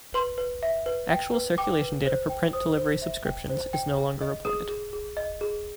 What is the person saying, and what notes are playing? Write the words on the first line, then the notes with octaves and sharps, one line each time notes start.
Actual circulation data for print delivery subscriptions is no longer reported.
B4 C6
B4
E5
B4
G5
B4
G5 D6
B4
C5
G5
C5 D#6
C5
E5
G5
C5
G5
G#4
D#5
G#4 D#6
G#4
G#4
D#5
G#4